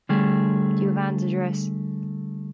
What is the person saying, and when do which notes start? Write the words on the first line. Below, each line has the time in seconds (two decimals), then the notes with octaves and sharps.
Do you have Anne's address?
0.09 D3 G3 A3 G#4